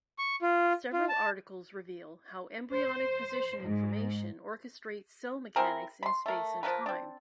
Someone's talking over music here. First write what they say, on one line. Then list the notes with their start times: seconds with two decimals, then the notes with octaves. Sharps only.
Several articles reveal how embryonic position information orchestrates cell mechanics in space and time.
0.18 C#6
0.42 F4
0.93 F4
1.09 A5
2.73 C5
3.61 G#2
5.56 C4 E4 G#4 A#4
6.03 B5 C6
6.26 A3 A#4
6.63 F3 G#3 A#4 B4
6.86 C4 D4